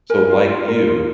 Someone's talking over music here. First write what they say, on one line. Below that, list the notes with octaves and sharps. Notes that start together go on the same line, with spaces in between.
so like you,
A#4 G#5
F4
F4
A#4
F4